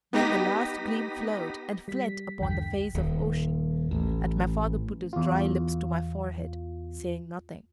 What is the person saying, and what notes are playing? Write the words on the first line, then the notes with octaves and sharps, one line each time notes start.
Then the last gleam flowed and fled upon the face of ocean, and my father put his dry lips to my forehead, saying nothing.
B3 D#4 G4 A#6 B6 D#7
G3 B6
A#1 E2 G2 D3 G5 B6
D#1
A1
E2 F4